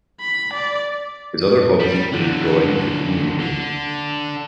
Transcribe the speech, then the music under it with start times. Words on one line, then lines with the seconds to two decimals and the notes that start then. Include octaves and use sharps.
His other hobbies include drawing, cooking and reading.
0.20 B5
0.53 D5
1.80 G3
2.12 D3 F#3
3.39 D3